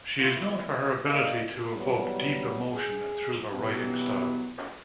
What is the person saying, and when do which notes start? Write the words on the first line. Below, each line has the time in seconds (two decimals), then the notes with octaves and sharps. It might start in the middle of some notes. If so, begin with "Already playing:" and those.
She is known for her ability to evoke deep emotion through her writing style.
0.19 E3 A3 B3 E4 F4
1.04 A#3 D5 D#5
1.47 B2
1.75 E3 F#3 G3 B3
2.72 G#4
3.54 B2 E3 F#3 G3 B3